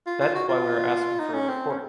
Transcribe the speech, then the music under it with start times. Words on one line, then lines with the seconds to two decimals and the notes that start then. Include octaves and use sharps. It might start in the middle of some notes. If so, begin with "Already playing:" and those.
That is why we are asking for a report.
0.07 F4
0.20 F4
0.35 F#4
0.49 F4
1.19 D#4
1.34 C#4
1.48 C4
1.69 C#4